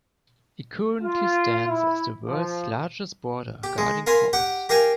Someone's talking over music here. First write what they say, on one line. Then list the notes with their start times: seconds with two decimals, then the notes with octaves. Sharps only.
It currently stands as the world's largest border guarding force.
1.02 F4
1.68 E4
2.24 F3
3.64 G4
3.78 G#3
4.07 A#4 F5 G#5 B5 C6
4.33 G4 F#5 G5
4.69 G4 A#4 F5 G5 G#5